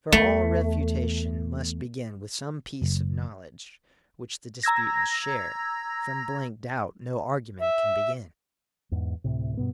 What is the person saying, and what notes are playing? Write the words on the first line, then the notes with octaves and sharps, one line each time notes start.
For all refutation must begin with some piece of knowledge which the disputants share; from blank doubt, no argument can begin.
E2 A3
F#1
A#5 E6 G#6 A#6
E5
E2 G#2
D2 A2 C3
G2 B2 B3